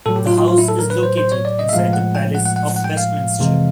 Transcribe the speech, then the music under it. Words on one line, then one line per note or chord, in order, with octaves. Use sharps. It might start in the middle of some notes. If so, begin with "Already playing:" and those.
The house is located inside the Palace of Westminster.
A2 F#3 A4
G4
F4
F4
F4
E4
A4
A#4
B4
C5
C5
C#5
D5
D#5
E5
A2 F3 G#3 F5
F#5
G5
F#5
F#5
F#5
F#5
G5
F5
F2 C3 E3 G#3